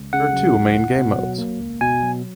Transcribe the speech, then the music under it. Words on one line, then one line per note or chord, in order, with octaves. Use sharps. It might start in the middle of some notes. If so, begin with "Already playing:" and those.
There are two main game modes.
Already playing: C#2
C#3 F#5
F#3
C#2
C#2
B2
F#3
A#3
C#2
B2 G#5
F#3